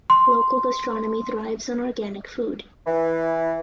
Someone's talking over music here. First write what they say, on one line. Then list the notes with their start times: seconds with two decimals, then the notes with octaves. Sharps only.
Local gastronomy thrives on organic food.
0.10 C6
2.86 E3